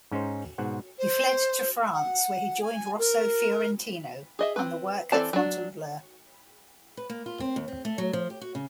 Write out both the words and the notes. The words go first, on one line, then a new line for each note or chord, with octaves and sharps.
He fled to France where he joined Rosso Fiorentino in the work at Fontainebleau.
G#2 C#4 D#4 C5
G#2 B2 C5 F#5
C5
F#5
G#5
A#4
G#4 D#5 E5
C4 B4
E3 C4 A4 D5 A5
F#3 D4
B4
A#3
F4
C4
D#2
C4
A3
F#3
F3
G4
F#4
C#3